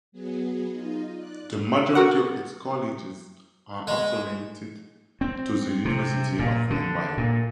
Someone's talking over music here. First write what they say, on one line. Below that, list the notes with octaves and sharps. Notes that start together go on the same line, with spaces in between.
The majority of its colleges are affiliated to the University of Mumbai.
F#3 B3 G#4
D#4 F4 D#5
D5 F#6
F#4 A#4 F#5
G#3
C4
C3
A#2
D3
A#2